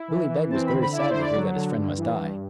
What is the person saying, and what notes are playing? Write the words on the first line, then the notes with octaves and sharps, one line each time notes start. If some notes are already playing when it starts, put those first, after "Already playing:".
Billy Beg was very sad to hear that his friend must die.
Already playing: E4
E3
E3
C4 A5
B5
D3
B5
E4
D5
D3 C5
D5
F#3
D3
G2
E3
G2